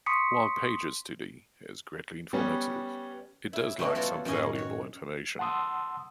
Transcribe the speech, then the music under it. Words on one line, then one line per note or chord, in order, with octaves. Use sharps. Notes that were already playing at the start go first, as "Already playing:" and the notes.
While Pager's study is greatly informative, it does lack some valuable information.
C6 C#6 D#6 B6 C#7
G3 B3 C#4
E4
B2 G3 A3 C#4 E4 F#4
F#3 G3 F4 F#4 A4 C#5
F#2 A2 D#3 C#4 D#5 G#5
F#4 C#5
F#5 A5 C6 D#6 E6